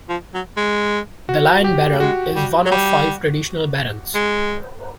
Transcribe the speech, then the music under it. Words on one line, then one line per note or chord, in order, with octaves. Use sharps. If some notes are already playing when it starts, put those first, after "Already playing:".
The lion barong is one of five traditional Barongs.
F3
F#3
G#3
F#4
G4
A3
G#3 F#4
G3
F#3
G3
G#3